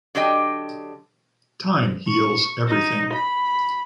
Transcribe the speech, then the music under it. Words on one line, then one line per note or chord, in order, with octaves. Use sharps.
Time, heals everything.
D3 F#3 D4 G4 D#5 G5
C#6
D#4
B5